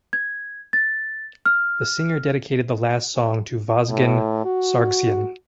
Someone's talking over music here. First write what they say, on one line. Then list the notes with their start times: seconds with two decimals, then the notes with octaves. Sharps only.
The singer dedicated the last song to Vazgen Sargsyan.
0.13 G#6
0.73 A6
1.46 F6
3.88 A2
4.45 F#4